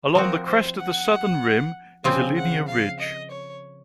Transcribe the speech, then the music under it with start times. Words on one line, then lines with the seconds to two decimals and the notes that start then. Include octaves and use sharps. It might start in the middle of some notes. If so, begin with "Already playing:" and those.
Along the crest of the southern rim is a linear ridge.
0.15 F3 C4 F#4 A#4
0.47 C5
0.78 F#5
2.04 C#3 F3 C4 G#5
2.36 F#5
2.68 F5
3.00 D#5
3.31 C#5